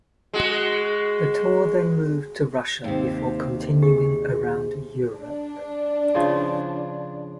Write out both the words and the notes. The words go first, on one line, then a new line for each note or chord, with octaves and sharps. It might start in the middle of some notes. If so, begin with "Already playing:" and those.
The tour then moved to Russia, before continuing around Europe.
G#3 F#4
D#2 C3
G#4
D4
C#3 F3